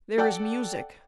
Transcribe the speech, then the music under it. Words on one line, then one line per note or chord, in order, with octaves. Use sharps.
There is music.
A4 D5 F#5 G5